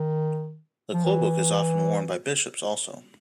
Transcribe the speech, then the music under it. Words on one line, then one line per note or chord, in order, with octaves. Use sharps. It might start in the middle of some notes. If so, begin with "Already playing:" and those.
The klobuk is often worn by bishops also.
Already playing: D#3
F3
E3